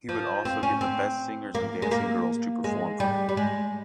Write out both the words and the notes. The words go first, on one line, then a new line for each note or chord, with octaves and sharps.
He would also get the best singers and dancing girls to perform for him.
F3
C4
C#4
C4
A#3
G#3
A#3
G#3
G3
G3
G#3